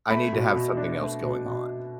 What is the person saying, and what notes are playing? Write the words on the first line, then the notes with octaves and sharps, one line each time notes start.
I need to have something else going on,
A3 B5
B2
B2
D4
A3
B2
B2